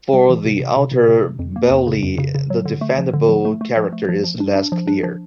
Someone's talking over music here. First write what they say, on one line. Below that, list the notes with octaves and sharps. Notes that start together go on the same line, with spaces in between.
For the outer bailey the defendable character is less clear.
G3
E3
C3
C3
C3
C3
C3
C3
F2
A#3
F2
C#3
F2
C#3
C#3
F#3
D3
A3
F3
D3
F3
A3
A3
F3
A3
F3
F3
D4
D4
F3
D4
F3